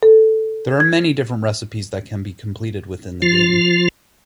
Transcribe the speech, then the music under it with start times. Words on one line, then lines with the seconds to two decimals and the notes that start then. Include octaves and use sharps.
There are many different recipes that can be completed within the game.
0.03 A4
0.80 G#6
3.22 F3 F4